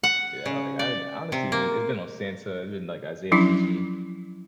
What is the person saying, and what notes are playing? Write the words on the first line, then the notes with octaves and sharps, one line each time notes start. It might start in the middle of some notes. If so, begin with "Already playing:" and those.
Yeah, like, I'd honestly, it's been it's been ohsxnta, it's been, like, Izaya Tiji.
F#5
C#3
D5
C3
A#3
F3 F#3 C#4 D4 E4